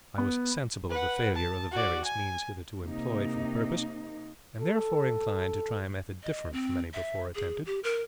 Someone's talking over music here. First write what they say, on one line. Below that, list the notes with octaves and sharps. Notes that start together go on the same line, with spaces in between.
I was sensible of the failure of the various means hitherto employed for the purpose, and therefore inclined to try a method different from any before attempted.
B3
B4 F#5
A5
F#4 D5
G#5
C3 A#3 D#4
A4
D#5
C4
E5
G#4
G4
A#4